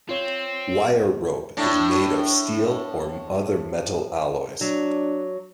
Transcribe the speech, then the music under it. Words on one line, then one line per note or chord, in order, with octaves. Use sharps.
Wire rope is made of steel or other metal alloys.
C4 F4 C#5
A2 D4
F#3 D4